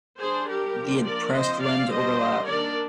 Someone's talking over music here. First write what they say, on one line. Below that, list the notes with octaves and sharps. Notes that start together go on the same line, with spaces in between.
The adpressed limbs overlap.
G3 D4 G#4 C5
G4 A#4
F3 A#3 D4
A#4 D5
F3 C4 C5 D#5
D5 F5
G3 D4 C5 D#5
D#3 A#3 D4 A#4 D5